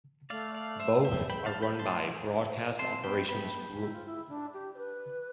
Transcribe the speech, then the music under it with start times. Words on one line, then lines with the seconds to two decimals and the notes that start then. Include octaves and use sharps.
Both are run by Broadcast Operations Group.
0.30 A3 D5 F5
0.54 D5 F5
0.80 C5 E5
1.04 E5 G5
1.30 G5 B5
1.46 F5 A5
1.62 G5 B5
1.79 A5 C6
2.79 C4 A5 C6
3.04 B3 G5 B5
3.25 A3
3.29 B3 G5 B5
3.41 A3
3.54 B3
3.78 E4
3.92 F4
4.06 E4
4.29 D4
4.53 G4
4.75 C5
4.78 B4